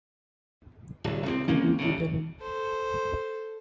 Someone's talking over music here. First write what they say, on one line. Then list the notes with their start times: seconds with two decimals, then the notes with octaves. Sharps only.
Could You Be the One?
1.04 D1 C2
1.26 C2 A3 C4
1.48 C#2 A#3 C4 C#4
1.78 D#1 D2 C#3
2.40 A4 C5